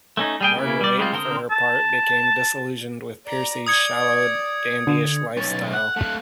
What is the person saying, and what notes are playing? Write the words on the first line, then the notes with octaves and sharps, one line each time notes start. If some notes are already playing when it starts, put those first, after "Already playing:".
Marguerite, for her part, became disillusioned with Percy's shallow, dandyish lifestyle.
A3 C#4 D#4
G3 G#4 G5
C#3 A#3 E4
G3 D5
G3 G#3 C4 F4
D3 C4 A#4 C6 D#6
A5
D5 A#5
D5 D#6 G#6 C#7
D3
B1 C#4 A6
F#5 F#6
A3 F5